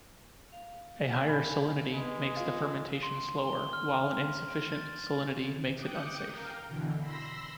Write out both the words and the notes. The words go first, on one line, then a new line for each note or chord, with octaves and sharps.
A higher salinity makes the fermentation slower, while an insufficient salinity makes it unsafe.
F5
G#5 B5
G#3 B3 B4
F4 F5
C6
G7
F6
D7
A6
G5 D6 D#6 F#6 G6 C#7
A#4 F5 G5
B2 D3 E3
B5 C6 E6 A#6